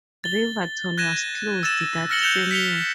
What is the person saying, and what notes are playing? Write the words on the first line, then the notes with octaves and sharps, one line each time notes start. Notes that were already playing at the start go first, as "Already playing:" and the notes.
Riverton was closed that same year.
A6 G7
F#6 G#6 A#6 D#7 E7
E6 A6 E7
E6 F6 A#6 C#7 F#7 G7
F#6 G6 C#7 E7 F7 G7
B6 C#7 F7 G7